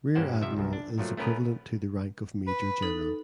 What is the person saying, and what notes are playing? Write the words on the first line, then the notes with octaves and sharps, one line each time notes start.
Rear admiral is equivalent to the rank of major general.
G2 A#3 C#4 G4 C5 F#5
F2 C3 F3 E5
C2 F#2
D4
A#2 F3 F#3 A3
A3 B3 C#4 A#4 B4
B4
D#4 A4